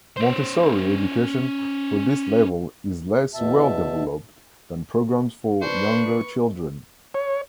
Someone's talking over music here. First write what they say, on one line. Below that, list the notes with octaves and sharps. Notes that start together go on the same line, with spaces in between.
Montessori education for this level is less well-developed than programs for younger children.
C#4 C5
E2 B2 E5 A5
D4 B4 C5 C#6
C#5